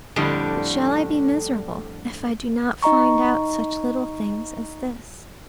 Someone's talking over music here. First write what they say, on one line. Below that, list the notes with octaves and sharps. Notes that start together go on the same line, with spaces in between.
But shall I be miserable if I do not find out such little things as this.
F2 A2 D3 G3 D4
D#4 D#5 A#5 C#6